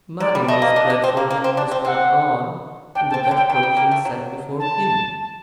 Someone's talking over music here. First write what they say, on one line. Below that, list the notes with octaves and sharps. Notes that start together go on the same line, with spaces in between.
Matting was spread for him to squat on, and the best provisions set before him.
F#3 D5
G3
D5
A3 D#5
A#3
D4
D4
C4
A#3
A#3
C4
D4
C4
C4 F#5
D4 G5
A5
C4
G5
D3
G5
D#3 G5
G3
A#3
A3
F#3
A5